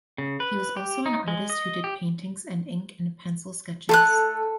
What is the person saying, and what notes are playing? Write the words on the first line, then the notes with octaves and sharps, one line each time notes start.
He was also an artist who did paintings and ink and pencil sketches.
C#3
B4
G4
D#4
G#3
D#5
G4
A3 A4 C6 F#6